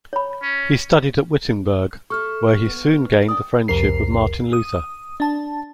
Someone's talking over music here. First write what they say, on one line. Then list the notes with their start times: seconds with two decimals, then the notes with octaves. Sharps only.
He studied at Wittenberg, where he soon gained the friendship of Martin Luther.
0.13 C#5 B5
0.42 C#4
2.10 A4 E5 C#6 F6
2.65 B3
3.28 D5 G5 D#6
3.68 C2 F2 A#4 C7
4.53 D#6
5.20 D4 A5